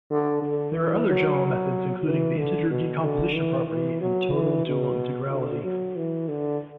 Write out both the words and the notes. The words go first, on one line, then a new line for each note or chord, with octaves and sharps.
There are other general methods including the integer decomposition property and total dual integrality.
D3
D3
E3
F#3
E3
D3
B2
D3
E3
E3
F#3
E3
B2
D3
F#3
E3
D3